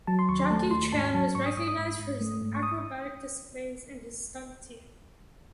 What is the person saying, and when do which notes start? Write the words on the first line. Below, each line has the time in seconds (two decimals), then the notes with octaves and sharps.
Jackie Chan was recognised for his acrobatic displays and his stunt team.
0.07 F#3 A5
0.19 C6
0.29 D#2 C#6
0.39 C6
0.50 A3 A5
0.71 D#2 C6
0.92 G#2 A5
1.14 F#3 A5
1.35 G#2 C#6
1.46 D#6
1.57 G#2 D#6
1.68 D#6
1.78 G#2
1.99 G#2
2.21 A3
2.42 G#2
2.55 C#6
2.63 D#6